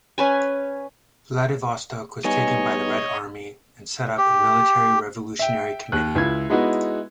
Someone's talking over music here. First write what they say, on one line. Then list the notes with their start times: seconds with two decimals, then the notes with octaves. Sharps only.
Vladivostok was taken by the Red Army and set up a Military Revolutionary Committee.
0.18 C#4 B4 G#5
2.24 G3 B3 D#4 C#5 D#5 G#5
4.18 G4
5.39 E5 G5
5.92 D#2 F#6
6.15 C#2 E4 F4 G#6
6.50 G#3 B3 D#4 E4 F#4